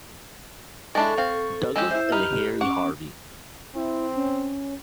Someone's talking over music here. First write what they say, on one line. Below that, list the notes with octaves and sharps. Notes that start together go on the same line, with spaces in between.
Douglas and Harry Harvey.
G#3 D4 E4 A4 C#6
C4 F5
G#3 C#4 G4 E6
E4 C5 E5
D#4 G4 B4 F6
C#4 F#5 D6
C4 E4
C#4